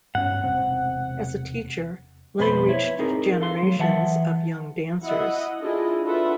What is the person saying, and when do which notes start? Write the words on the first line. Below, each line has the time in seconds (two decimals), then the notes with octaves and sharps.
As a teacher, Lang reached generations of young dancers.
0.15 G2 B3 C#4 F#5
0.44 E1 C3 C4
2.39 F2 B2 B4 C5 B5 C6
2.69 E4 C#5
2.99 C4 D#4 G#4 A#4
3.41 A4 F5 C6
3.63 F#3
3.79 E3 E5 F#5 A5
5.04 E4 D#5 E5 F#5
5.61 D4 E4 F4 G#4 A4 D#5
6.03 D4 F4 A4 B4 E5 F#5